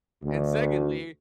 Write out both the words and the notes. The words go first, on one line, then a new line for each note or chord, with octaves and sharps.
And secondly"
D2